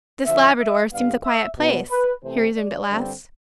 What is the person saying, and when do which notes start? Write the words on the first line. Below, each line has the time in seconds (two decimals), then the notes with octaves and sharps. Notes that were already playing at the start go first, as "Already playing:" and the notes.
"This Labrador seems a quiet place," he resumed at last.
0.26 D3 F3 C4 E5
0.59 E5
0.92 G2 D3 G3 B3 F5
1.25 E5
1.58 B2 B3
1.91 B4
2.24 C3 E3 A3 C4 C5
2.57 D5
2.90 G2 D3 G3 C4